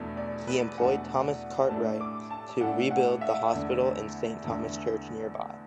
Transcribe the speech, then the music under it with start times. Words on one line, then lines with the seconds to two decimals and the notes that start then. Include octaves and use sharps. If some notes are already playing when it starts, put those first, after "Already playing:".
He employed Thomas Cartwright to rebuild the hospital and Saint Thomas Church nearby.
Already playing: E2 B2 A3 D4
0.17 D5
0.48 B4
0.78 E2 B2 A3 D4 F#5
1.69 A2 A3 D4 A5
2.01 D6
2.31 A5
2.60 A2 A3 D4 F#5
2.91 F#5
3.21 E5
3.53 E2 D3 A3 D4
4.44 E2 D3 A3 D4